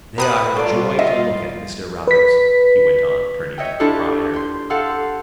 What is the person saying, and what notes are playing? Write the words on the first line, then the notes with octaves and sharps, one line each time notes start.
"They are a joy to look at, Mr. Roberts," he went on, turning to the proprietor.
G3 B3 A#4 D#6 F#6
F#3 G3 F4 A4 D5
D#5 E5
B4 B6
C#5 D#5 E5 G5
D4 E4 F4 G4 A4 B4
G4 C6
G4 A4 F5 F#5 C6 E6